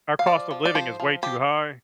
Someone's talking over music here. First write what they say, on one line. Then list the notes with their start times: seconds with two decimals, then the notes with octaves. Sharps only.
our cost of living is way too high,
0.19 F5
0.26 F3 D5
0.51 F3
0.65 D5
0.75 F3 C5
1.00 F3
1.23 F3 G4